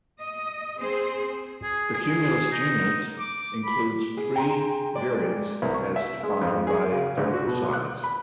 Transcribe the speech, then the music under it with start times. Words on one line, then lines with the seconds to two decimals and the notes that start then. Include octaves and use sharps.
The cumulus genus includes three variants as defined by vertical size.
0.20 D#5
0.78 C4 G#4 C5
1.63 G#4
1.93 G#4
2.51 D#4
3.19 D6
3.65 B5
4.17 G#4
4.36 G5 A#5 C6
4.95 G2 G#3 D5
5.62 C2
5.74 C#6
5.96 E5
6.23 G#3
6.41 F2
6.67 G#4
6.92 C#3
7.17 D2
7.34 F#4
7.47 B2
7.73 F#6
8.04 B5